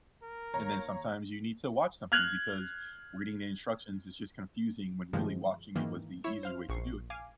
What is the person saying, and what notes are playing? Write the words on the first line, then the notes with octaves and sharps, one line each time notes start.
and then sometimes you need to watch something because reading the instructions is just confusing when really watching it was the easier way to do it.
A#4
D#2 C#5 A#5
F6 F#6 G#6 F7 F#7
G2 C3 D#3 F3 G#3
G#2 D#3 E3 A#3
E4 C#5 E7
C5 F5 F6
A#1 C#6 C7
F5 G#5 D6